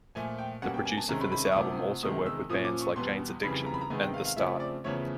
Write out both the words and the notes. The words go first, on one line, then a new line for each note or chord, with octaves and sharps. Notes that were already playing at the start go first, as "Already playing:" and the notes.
The producer for this album also worked with bands like Jane's Addiction, and TheStart.
A#2 F3 A3 G#5
G5
B2 G3 A#3 C#4 F#5
G5
G#5
A5
C3 D#3 G#3 C#4 A#5
B5
B5
C#6
D#6
D2 C3 F3 A3 D6
E2 C3 D#3 G#3 D#6
E6
A#2 F3 A#3 C#4 D#6
D6
C#6
E2 B2 G3 B3 C6
F2 C#3 E3 G3 B5
A#5
B5
A#5
C3 D#3 G#3 B3 G#5
G5
F5
F5
C#3 F3 A3 C4 E5
D5
E2 C#3 F3 A3 C#5